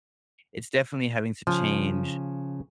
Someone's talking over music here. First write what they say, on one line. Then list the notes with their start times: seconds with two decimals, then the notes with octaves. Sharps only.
it's definitely having to change,
1.47 C#3 F3